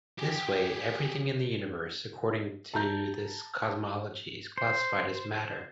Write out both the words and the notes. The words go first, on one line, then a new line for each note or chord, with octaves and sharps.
This way everything in the universe according to this cosmology is classified as matter.
G4 G#4
A5 A#5 G6
C5